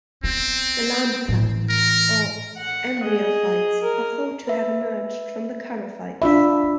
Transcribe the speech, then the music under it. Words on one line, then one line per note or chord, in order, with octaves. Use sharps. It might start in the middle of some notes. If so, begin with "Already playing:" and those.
The land plants, or embryophytes, are thought to have emerged from the charophytes.
B3 C4
A2 E3
A#4
F#5
G#4 D#5
A#4
B4 E5
D4 F4 E5 B5